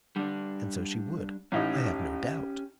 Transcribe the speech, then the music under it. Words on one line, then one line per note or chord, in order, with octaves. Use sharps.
And so she would, I have no doubt.
D3 G3 D4
A1 A2 C#4 D#4 G4